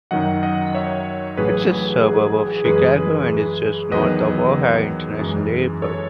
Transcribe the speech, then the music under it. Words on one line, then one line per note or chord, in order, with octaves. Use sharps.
It is a suburb of Chicago and is just north of O'Hare International Airport.
F#2 D#3 F#3 D#5 F#5
D#5 F#5
C#5 E5
A1 A2 F#3 G#4 B4
G#4
F#2 E3 G#3 G#4 B4
E2 D#3 F#3 B4 D#5
F#2 E3 G#3
A4 C#5